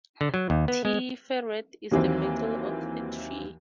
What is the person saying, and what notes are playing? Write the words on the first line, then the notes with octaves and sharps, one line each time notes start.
Tiferet is the middle of the tree.
D3
F#3
D#2
B3
G#3
D#2 D#3 E3 F#3 C4